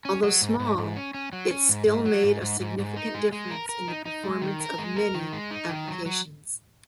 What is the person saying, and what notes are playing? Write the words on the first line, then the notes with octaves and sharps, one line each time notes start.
Although small, it still made a significant difference in the performance of many applications.
C#4
F#3
G#2
G#2
G#2
C#4
C#4
F#3
C#4
G#2
G#2
F#3
G#2
G#2
G#2
G#2
D#4
G#3
G#3
A#4
A#4
D#4
D#4
G#3
D#3
A#4
G#3
A#4
D#3
G#3
D#4
D#3
F#3
F#3